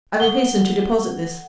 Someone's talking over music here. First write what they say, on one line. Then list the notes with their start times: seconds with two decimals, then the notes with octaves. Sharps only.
I will hasten to deposit this.
0.20 A4 F#5 G7